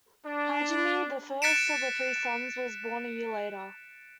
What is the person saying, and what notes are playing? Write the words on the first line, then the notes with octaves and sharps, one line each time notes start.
Hajime, the first of their three sons, was born a year later.
D4
F#6 A6 B6 C#7 D7 E7